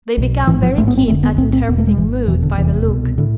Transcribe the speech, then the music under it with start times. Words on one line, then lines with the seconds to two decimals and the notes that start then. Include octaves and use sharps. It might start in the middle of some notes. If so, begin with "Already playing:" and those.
They become very keen at interpreting moods by the look.
0.17 B1 B2
0.47 A1 G#2 E3
0.62 F3
0.77 A1 G#2 A3
0.88 B3
0.97 C4
1.07 F1 F2 D3 A3
1.23 B3
1.38 B1 A2 C4
1.53 C4
1.68 E1 E2 B2 B3
1.78 A3
1.87 G#3
1.97 G#1 E3
2.00 G#2
2.28 F1 E2 B2 E3
2.43 D3
2.58 F1 E2 C3 E3
2.88 C2 B2
3.18 A2 D3